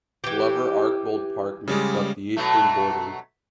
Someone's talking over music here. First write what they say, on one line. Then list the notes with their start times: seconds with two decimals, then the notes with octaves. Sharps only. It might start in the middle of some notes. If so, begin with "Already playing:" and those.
Glover-Archbold Park makes up the eastern border.
0.24 E3 G4
1.68 C#3 G3 G#3
2.37 B2 F#3 A3